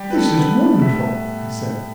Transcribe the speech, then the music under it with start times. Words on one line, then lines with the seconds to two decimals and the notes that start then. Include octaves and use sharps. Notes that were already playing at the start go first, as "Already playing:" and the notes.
"This is wonderful," I said.
Already playing: G3 G4
0.10 B4
0.14 A4
0.37 B3 B4
0.81 A2 E5